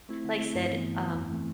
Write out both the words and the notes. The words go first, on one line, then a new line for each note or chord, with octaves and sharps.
like said, um,
A3 C4 E4
D3
A3 C4 E4
G2
E3 B3
G2
E3 B3
F2
E3 A3 C4